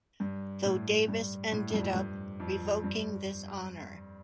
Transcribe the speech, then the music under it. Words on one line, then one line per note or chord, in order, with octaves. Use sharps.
Though Davis ended up revoking this honor.
G2
A2
G2
A2
F2
G2
G2
F2
G2